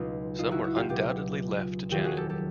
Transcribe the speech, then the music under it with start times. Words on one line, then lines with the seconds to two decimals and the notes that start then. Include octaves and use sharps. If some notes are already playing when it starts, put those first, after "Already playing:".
Some were undoubtedly left to Janet.
Already playing: C#2 B2 F#3 D#4 F4
0.38 D#4 F4
0.51 E4 F#4
0.64 E4 F#4
0.76 F4 G4
0.89 C#2 B2 F#3 F4 G4
1.89 F1 D#2 D#3 F#3 F4 G4
2.04 F#4 G#4
2.17 G4 A4
2.29 G4 A4